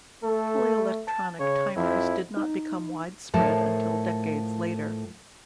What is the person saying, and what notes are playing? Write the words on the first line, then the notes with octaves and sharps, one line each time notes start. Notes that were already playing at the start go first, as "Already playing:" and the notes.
Fully electronic timers did not become widespread until decades later.
A3 A4
A5
C#3 C#5
F2 E4
D#4
A2 F3 A#4 A5